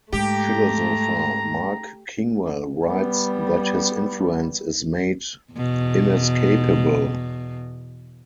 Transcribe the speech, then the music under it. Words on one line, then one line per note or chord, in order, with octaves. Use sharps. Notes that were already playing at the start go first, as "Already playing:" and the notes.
Philosopher Mark Kingwell writes that his influence is made inescapable.
G#2 A3 G4 A#5
G3 B3
E2 B2